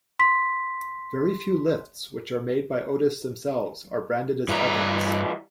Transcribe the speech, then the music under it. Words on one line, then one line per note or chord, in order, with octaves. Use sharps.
Very few lifts which are made by Otis themselves are branded as Evans.
C6 B6
G2 E3 G3 A#5